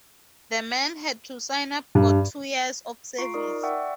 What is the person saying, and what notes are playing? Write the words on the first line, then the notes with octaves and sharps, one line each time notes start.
The men had to sign up for two years of service.
G2
F4 A#5 C#6 C7 D7
D#4 A#4 D5 D#6
D5 E5 F#5 G5 C#6 E6